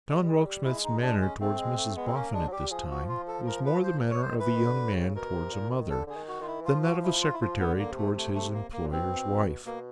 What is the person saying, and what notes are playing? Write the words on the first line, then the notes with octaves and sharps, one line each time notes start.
John Rokesmith's manner towards Mrs Boffin at this time, was more the manner of a young man towards a mother, than that of a Secretary towards his employer's wife.
G#3
G3
G#3
G3
G#3 E4
D#4
D4
C#4
A3 C4
G#3
A3
G#3 B3
C4
A#3 C#4
G#3 D4
F#3
G3 G4
F3 G#4
F#4
F4
A4
A#4
B4
C5
C#5
C5
D#3
E3 B4
D#3
D3
C#3
B2 A#4
C3
A#2
D#3
D3 A4
D3 G#4
D#3
F#4
D#3 F4
E4
E3
F3 F4
F#4
E4
F4
E4
F3 F4
B3
D3
A#3
C3
A3
A3
A3
A#3
A#3
A#2
B2 C4
B2 A#3